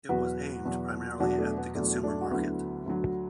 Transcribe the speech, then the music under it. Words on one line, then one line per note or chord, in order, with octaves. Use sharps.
It was aimed primarily at the consumer market.
E2 B2 F#3 F#4 B4
E2 B2 F#3
E2 B2 F#3 D4 F#4
A3 D4
B3
E2 B2 F#3 A3 D4
A3 D4
F#4
D2 D3 F#3 B3 E4
D2 D3 F#3